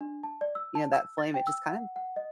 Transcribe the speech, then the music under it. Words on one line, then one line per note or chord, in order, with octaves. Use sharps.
you know, that flame, it just kind of
D4
A5
D5
E6
A5
E6
A6
G5
E6
F#5
F#5
D#5